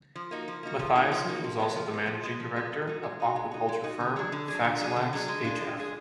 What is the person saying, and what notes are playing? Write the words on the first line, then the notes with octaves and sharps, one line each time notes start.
Mathiesen was also the managing director of the aquaculture firm Faxalax hf.
F3
A#3 D#4 F#4
F3
A#3 D#4 F#4
F3
A#3 D#4 F#4
F3
A#3 D#4 F#4
F3
G#3 B3
F3
G#3 B3
F3
G#3 B3
F3
G#3 B3
G#3
D#4 F#4
G#3
D#4 F#4
G#3
D#4 F#4
G#3
D#4 F#4
D3
F#3 D4 G#4
D3
F#3 D4 G#4
D3
F#3 D4 G#4
D3
F#3 D4 G#4
G#3
D4 F4 G#4
G#3
D4 F4 G#4